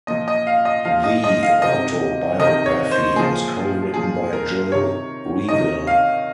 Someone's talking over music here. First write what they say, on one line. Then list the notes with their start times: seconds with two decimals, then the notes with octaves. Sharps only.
The autobiography was co-written by Gil Reavill.
0.07 A#2 F3 D#5
0.28 D#5
0.47 F5
0.65 D#5
0.85 A#2 F3 F5
1.04 D#5
1.24 D#5
1.43 F5
1.62 C3 D#3 D#5
2.40 C3 D#3 D#5
2.66 C#5
2.91 C5
3.16 A#2 F3 G#4
3.94 A#2 F3 G#4
4.33 A#4
4.71 C3 D#3 C#5
5.49 C3 D#3 D#5
5.87 F5